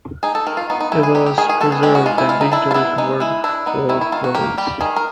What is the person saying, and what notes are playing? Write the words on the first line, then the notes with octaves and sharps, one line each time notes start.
It was preserved and digitally converted for release.
D#4 G#4
A4
D#3 A#4
F4
B3 D#4
D#4
G#3 E4
G#4
D#4 G4
G4
D#3 G#4
G#4
B3 A4
G#4
G#3 G4
F#4
G#3 F4
E4
G#3 F4
D#4
D4 E4
F4
B3 E4
G#3 D#4
G#3 E4
D4 E4
B3 D#4
D#3 E4
E4
D#3 F4
F#4
A#3 G4
G3 G4
D#3 G#4
A#4